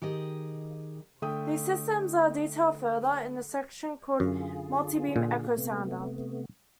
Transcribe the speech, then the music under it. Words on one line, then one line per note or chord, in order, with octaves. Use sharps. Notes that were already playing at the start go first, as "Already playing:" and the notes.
These systems are detailed further in the section called multibeam echosounder.
D#3 G4 G#4 D#5
D3 A3 G5 D#6
F#2 D3 F4 G#4
A#2
C3 A3 B3